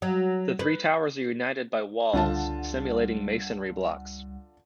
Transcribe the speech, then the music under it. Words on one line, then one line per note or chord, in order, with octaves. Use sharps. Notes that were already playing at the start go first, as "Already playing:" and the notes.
The three towers are united by walls, simulating masonry blocks.
F#3
B4
C#2 D3 G3 F4 F#5 A5